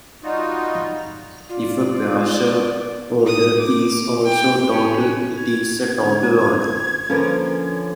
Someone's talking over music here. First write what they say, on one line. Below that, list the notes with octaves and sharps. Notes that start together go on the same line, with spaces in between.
If a partial order is also total, it is a total order.
G3 D#4 F4 F#4
F4 D5
D#6
D6
G5
C#4
G#6
D3 C#4
D3 F3 A#3 C#4 A4 B4